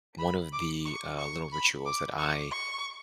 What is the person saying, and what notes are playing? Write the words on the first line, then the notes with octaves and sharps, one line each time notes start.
one of the, uh, little rituals that I
B5
D6
C#6
C#6
B5
D6
C#6
C#6